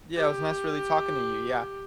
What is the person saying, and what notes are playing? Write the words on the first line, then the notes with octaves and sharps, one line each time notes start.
Yeah, it was nice really talking to you, yeah.
G4